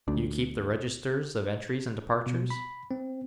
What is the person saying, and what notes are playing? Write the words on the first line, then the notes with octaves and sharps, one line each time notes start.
"You keep the registers of entries and departures?"
D2 D4
B2
B5
C4